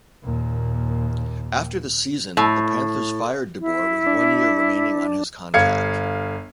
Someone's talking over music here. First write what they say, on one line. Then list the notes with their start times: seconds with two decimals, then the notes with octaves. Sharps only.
After the season, the Panthers fired DeBoer with one year remaining on his contract.
0.23 D#2 A#2
2.37 A2
3.60 E4
4.07 D4
5.54 G1 F5 G#6 C#7